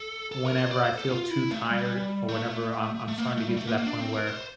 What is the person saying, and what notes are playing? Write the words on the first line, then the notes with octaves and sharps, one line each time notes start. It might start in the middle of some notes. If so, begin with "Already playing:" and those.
whenever I feel too tired, or whenever I'm I'm starting to get to that point where
Already playing: A4
A4
A#4
C5
D5
C5
A4
F4
E4
A3
G3
A3
A3
A#3
A3
A3
G3
A3
A#3
A#3
D4
C4
A#4
C5